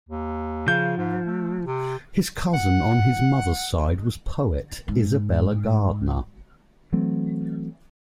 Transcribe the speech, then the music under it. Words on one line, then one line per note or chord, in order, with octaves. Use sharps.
His cousin on his mother's side was poet Isabella Gardner.
D#2
C#3 F3 G6
G#2
A3
C3
F#5
G#2
E3 F#3 A3 C4